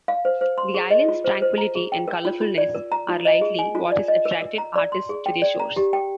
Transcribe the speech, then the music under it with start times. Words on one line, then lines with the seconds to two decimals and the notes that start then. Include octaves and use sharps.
The islands' tranquility and colourfulness are likely what has attracted artists to their shores.
0.08 F5
0.25 C5
0.41 C5
0.58 C6
0.74 G#4
0.91 D#5
1.08 F4
1.24 C5
1.42 C5
1.58 A#5
1.75 G#4
1.92 G5
2.08 A#4
2.25 F4
2.41 F4
2.58 D5
2.75 A#4
2.92 A#5
3.09 F4
3.25 D#5
3.41 G#4
3.59 G#5
3.75 F4
3.92 D5
4.08 D#5
4.25 A#4
4.42 A#4
4.58 A#5
4.76 D5
4.92 C6
5.09 G#4
5.26 G5
5.42 D5
5.60 A#5
5.76 G4
5.93 G5